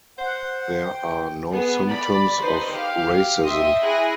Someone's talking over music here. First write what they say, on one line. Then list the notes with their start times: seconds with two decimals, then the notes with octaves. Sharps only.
There are no symptoms of racism.
0.18 C5 F#5
0.86 G5
1.52 B3 G#4
1.86 D5 B5
2.39 D#4 B4 C5
2.73 G4 F5
3.44 D#5 E5 G5 C6 D#6
3.82 E4 G#4 G#5 F#6 A#6